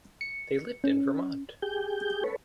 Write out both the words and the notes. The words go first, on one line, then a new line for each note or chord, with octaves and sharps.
They lived in Vermont.
C#7
C#4
G4 G#4 G6
A4 B4 C#5